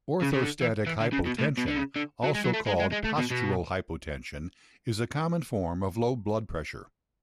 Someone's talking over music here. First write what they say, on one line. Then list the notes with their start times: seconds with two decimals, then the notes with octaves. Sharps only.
Orthostatic hypotension, also called "postural hypotension", is a common form of low blood pressure.
0.23 C#3
0.34 C#3
0.42 D3
0.61 E3
0.87 E3
1.01 D3
1.13 C#3
1.26 B2
1.39 A2
1.58 B2
1.68 D3
1.76 C#3
1.96 D3
2.24 F#3
2.35 G#3
2.44 F#3
2.53 A3
2.66 G#3
2.80 G#3
2.92 G#3
3.04 A3
3.17 B2
3.30 B2